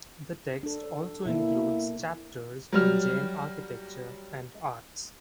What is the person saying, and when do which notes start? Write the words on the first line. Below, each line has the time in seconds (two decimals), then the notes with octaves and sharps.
The text also includes chapters on Jain architecture and arts.
0.63 D4 A4
1.26 B2 A#3 E4
2.73 F#3 G3 F6